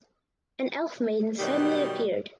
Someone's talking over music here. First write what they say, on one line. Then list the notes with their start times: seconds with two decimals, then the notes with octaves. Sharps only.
An elf maiden suddenly appeared.
1.39 B2 D#3 F#3 G3 G4